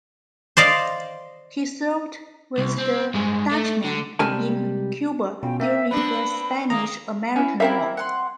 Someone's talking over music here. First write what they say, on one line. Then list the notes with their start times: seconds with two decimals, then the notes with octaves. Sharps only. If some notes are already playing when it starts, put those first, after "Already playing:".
He served with the Dutchman in Cuba during the Spanish-American War.
0.57 C5 D5 D#5 F5
2.58 C2
2.78 C4
3.14 G2 G#3
3.51 A3
3.84 D3
4.19 C3 G3 G#3 A#4 G#5 A5
5.43 B2 C#4 F4 G5
5.60 A#3 A#4 E5 G5
5.91 B3 C4 D4 B4 B5
6.70 D#2 A#3 A#5 D#6
7.36 C#4 E4
7.60 A#3 C4 D#4 E4 A#4 E5
7.97 F#5 C6